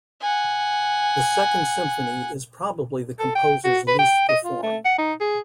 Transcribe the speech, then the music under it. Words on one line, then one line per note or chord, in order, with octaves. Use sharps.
The Second Symphony is probably the composer's least performed.
F#5 G#5
A4
G5
F#4
B4
G5
D#5
F4
A3
F#5
D#4
G#4